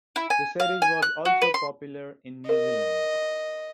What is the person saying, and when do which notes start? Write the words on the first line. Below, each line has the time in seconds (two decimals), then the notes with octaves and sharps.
The series was also popular in New Zealand.
0.16 E4
0.30 G#5
0.60 F5
0.82 G#5
1.02 F#6
1.25 F#4
1.42 B4
1.54 C6
2.49 A#4 D#5